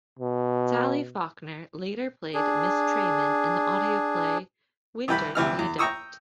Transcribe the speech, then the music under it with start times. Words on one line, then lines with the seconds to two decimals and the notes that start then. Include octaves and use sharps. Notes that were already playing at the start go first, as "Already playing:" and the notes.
Sally Faulkner later played Miss Tremayne in the audio play "Winter for the Adept".
0.19 B2
2.34 D4 G#4
5.08 C2 E3 G5 B5
5.35 D2 C3 E3 F6
5.59 E2
5.78 G5 A#5 C#6 D#6 E6